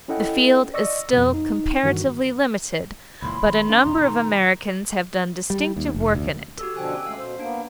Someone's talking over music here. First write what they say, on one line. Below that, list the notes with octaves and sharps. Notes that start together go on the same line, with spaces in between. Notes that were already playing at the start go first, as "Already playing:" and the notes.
The field is still comparatively limited, but a number of Americans have done distinctive work in it.
C#4 E4 A4 D#5 F#5 G5
D5 D#5 C#6 E6 A#6
F2 B2
D#4
G2 D#3 E3 F#4
C#2 A#2 E3 B5 C6
D#1 D#2
C#4 F5
G#1 E2 B2 A#5
B2 D#3
G3
D#2
F1
D2
F#4 G4 A4 E6
B2 D3 F3 G5 G#5 F#6
C#4 A4
G#3 A3 F5
B2 C5
A#3 B3 D4 D7